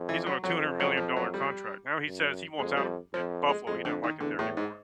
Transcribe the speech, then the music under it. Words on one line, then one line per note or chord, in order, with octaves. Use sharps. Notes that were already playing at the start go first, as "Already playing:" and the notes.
he's on a two-hundred-million-dollar contract. Now, he says he wants out of de Buffalo. He don't like it there anymore.
Already playing: F2
E3
F#3
F2 F#3
F#3
F3
F#3
G3
F#2
F2 G#3
G3
F2 F3
G#3
F2 G#3
D3
D#3
E2 D3
A2
G#2